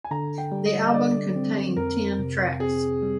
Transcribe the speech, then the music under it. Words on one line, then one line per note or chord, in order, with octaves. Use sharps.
The album contained ten tracks.
G#5
D3 A#5
G5
G3
D#5
D#5
D3 D5
C4
F2 A#4
C3
C4 G#4
G3